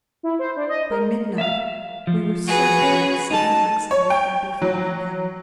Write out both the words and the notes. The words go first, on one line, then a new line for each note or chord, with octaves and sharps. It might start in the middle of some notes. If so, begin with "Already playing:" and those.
By midnight we were certain that some accident had befallen him.
E4
C5
D4
D#5
A#4
E5 F5
F3
F#4 G#4 B4
C#4
D#4 A4 A5
C#5
G5
F#3